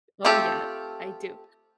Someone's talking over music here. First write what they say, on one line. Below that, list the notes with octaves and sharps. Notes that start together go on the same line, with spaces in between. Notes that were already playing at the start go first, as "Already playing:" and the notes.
Oh, yeah. I do.
A3 C4 F4 G4 A4